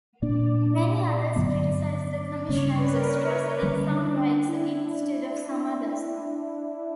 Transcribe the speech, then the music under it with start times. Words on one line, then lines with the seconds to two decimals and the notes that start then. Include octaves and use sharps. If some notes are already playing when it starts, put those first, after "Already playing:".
Many others criticize the Commission's stress in some rights instead of some others.
0.22 A#2 A#3 D4 D5
1.36 G2 D3 F#3 B3
2.49 C#3 G3 A#3 C#4 C#5
2.64 C#5
2.78 B4
2.92 A#4
3.06 B4
3.25 C#5
3.44 B4
3.63 D3 G3 A#3 C#4
3.92 D4
4.20 D4
4.48 E4